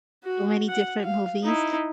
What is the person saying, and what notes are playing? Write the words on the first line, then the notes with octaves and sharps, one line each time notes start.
so many different movies,
F#4
F#5
F5
D#4 E4